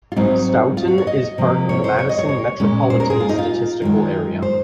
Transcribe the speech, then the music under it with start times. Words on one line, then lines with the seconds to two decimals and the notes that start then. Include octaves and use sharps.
Stoughton is part of the Madison Metropolitan Statistical Area.
0.12 F4
0.16 G#2 F#3 C4 D#4
0.77 F4
0.88 F#4
0.98 C#5
1.07 D#5
1.38 C3 F3 A#3
1.69 C#5
1.84 C5
1.99 C#5
2.09 D#5
2.19 C#5
2.29 C#5
2.60 A#2 G#3 C#4
2.90 C5
3.00 A#4
3.10 G#4
3.20 F4
3.29 D#4
3.38 F4
3.82 F#2 D#3 G#3
4.42 C5